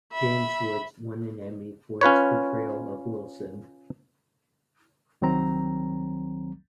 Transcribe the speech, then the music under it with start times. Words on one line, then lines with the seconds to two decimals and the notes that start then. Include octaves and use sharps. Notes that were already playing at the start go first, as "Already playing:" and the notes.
James Woods won an Emmy for his portrayal of Wilson.
0.12 E5 B5
2.01 C#4 F4 B4 C#5
5.22 C2 D#3 F#3 C4 A#5